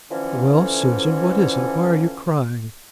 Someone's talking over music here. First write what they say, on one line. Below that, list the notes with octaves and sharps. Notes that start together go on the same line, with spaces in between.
'Well, Susan--what is it?--why are you crying?'
D3 E3 F3 C#4